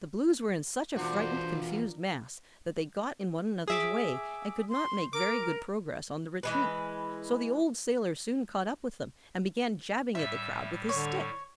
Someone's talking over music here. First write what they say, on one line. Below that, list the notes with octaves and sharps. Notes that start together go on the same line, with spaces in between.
The Blues were in such a frightened, confused mass that they got in one another's way and could not make very good progress on the retreat, so the old sailor soon caught up with them and began jabbing at the crowd with his stick.
E2 D4 F4 F#4 A#4 C5
G#4 E5 D6
C6
A#4 D6 D7
E3 G#3 B4
A2 G3 E5
D3 C#5